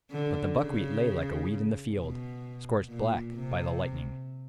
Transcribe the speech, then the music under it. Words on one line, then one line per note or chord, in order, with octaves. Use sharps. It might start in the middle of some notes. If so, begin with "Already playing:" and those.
But the buckwheat lay like a weed in the field, scorched black by the lightning.
D3
C#3
B2
A#2
C3